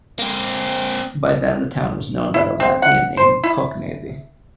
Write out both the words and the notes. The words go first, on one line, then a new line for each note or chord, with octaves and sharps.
By then the town was known by the Latvian name Koknese.
A#3 C4
E4
C4
F#5
C5
E4